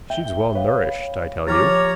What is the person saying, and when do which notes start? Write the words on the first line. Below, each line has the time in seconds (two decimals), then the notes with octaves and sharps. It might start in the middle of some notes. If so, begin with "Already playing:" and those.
She's well nourished, I tell you.
0.10 E5 G5 G7
0.55 B4 C#5 F5
1.47 F3 G4 C#5 A#5 D6 F6 A6